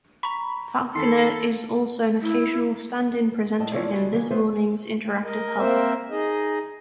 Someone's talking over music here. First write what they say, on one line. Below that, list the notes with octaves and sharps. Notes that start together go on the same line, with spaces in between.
Falconer is also an occasional stand-in presenter in "This Morning's" interactive "hub".
A#5 B5 C#6
D#3 A4 B5 C6 C7
E4
A2 D#5 A5
E2 F3 E4 C#5 D5 E5
G#3 F#4
D#3 F#3 A#3 B3 C#4
F#3 B3 B4 C5 E5
A#4 D#5
A#3 C4 A#4 C5 E5
D#4 G#4 D#5